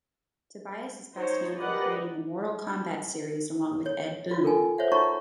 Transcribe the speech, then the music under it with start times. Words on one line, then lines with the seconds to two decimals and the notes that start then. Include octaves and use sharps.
Tobias is best known for creating the "Mortal Kombat" series along with Ed Boon.
1.15 D#4 C5 C#5
1.59 G4 A#4 B4 D5 D#5 F#5
3.86 C#5
4.31 F4 F#4
4.44 A4 A#4 G5 G#5
4.78 C5 C#5 E5 F#5
4.92 D#4 F#4 C#5 F#5 A#5 C#6